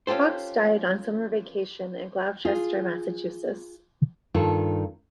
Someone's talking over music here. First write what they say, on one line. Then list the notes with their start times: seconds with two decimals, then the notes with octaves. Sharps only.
Cox died on summer vacation at Gloucester, Massachusetts.
0.07 C#4 F4 G4 A4 C5
2.45 F4 G#4
4.34 G2 D#3 F4 A4